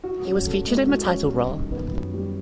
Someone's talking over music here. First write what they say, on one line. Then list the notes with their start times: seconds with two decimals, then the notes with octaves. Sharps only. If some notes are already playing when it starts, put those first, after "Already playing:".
He was featured in the title role.
0.04 F#4
0.25 C#4
0.47 A4
0.66 G#3
0.88 F#4
1.09 C#4
1.30 G3
1.51 D#3
1.72 B3
1.93 F#2
2.14 G3